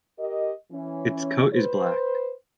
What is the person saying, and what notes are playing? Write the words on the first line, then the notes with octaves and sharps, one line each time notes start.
Its coat is black.
G4 A#4 D#5
E3 C#4
B4 C5